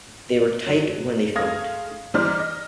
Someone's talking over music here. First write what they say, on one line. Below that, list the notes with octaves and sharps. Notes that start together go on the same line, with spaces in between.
They were tight when they phoned.
F#3
G#3 A3 F5 D#6 G#6 A#6
G#2 E3 G3 C5 D5 F6
D#5